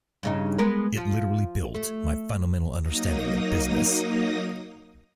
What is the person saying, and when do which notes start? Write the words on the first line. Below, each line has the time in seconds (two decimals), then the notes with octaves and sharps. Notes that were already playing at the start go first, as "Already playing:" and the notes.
It literally built my fundamental understanding of business.
0.23 G2 C#3 D#4
0.58 G#3 B3 A#4
0.97 F3
1.75 A3
2.81 F#3 A#3 D#4 D#6 A#6